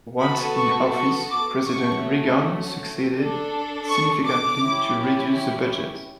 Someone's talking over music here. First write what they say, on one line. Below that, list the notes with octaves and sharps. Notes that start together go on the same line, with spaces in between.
Once in office, President Reagan succeeded significantly to reduce the budget.
B3 F#4 A4 B5
C#6
C#6
D6
A3 C#4 F#4 C#6
D4 A4
C#6
D6
C#4 E4 G4